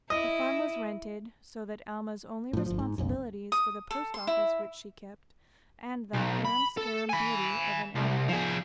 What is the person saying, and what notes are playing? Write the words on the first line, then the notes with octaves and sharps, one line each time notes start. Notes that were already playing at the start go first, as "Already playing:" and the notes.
The farm was rented, so that Alma's only responsibilities were the post office which she kept, and that harum-scarum beauty of an Anna.
E4 D#5
A2 F3
G1 F3
G#2
F#1 B1 F#2
D#6
A4
C6
E4
B1
B5
A4
G#5 B5
C2
F3 G#4